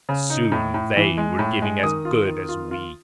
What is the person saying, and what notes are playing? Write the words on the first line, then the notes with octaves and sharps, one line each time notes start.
Soon they were giving as good as we.
C#3
D#4
A2
A2
E3
G#3
A2
G#3
D#3 D#6
F4
D#3
F4
F4